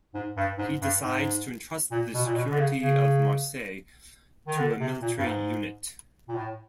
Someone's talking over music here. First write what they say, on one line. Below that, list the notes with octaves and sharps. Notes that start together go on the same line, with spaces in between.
He decides to entrust the security of Marseille to a military unit.
G#2
G2
G#2
G2
G#2
A#2
B2
A#2
B2
D3
C#3
C#3
D#3
D3
C3
A#2
G2
G#2
A#2
A2